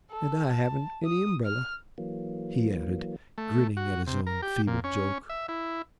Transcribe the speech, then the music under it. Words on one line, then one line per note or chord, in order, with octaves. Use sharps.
"And I haven't any umbrella," he added, grinning at his own feeble joke.
A4
A5
D#6
F6
E3 F#3 A#3
A3
F#4
C3
A#4
G4
A#2
C#4
E5
E4